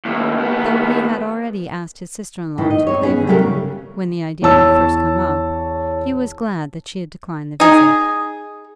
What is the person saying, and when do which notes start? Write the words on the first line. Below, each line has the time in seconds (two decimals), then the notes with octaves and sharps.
Though he had already asked his sister-in-law to Clavering, when the idea had first come up, he was glad that she had declined the visit.
0.05 D#2 A2
0.38 D#2 B3
2.58 A2 D#3 E3
2.70 D#5
2.87 C4 D#4 C#5
3.03 B3 C#4 G#4
3.27 C3 F#3 G3 A3 G4 A#4
3.39 C#3
4.42 E2 C#5 A5 E6
7.60 D#4 G#4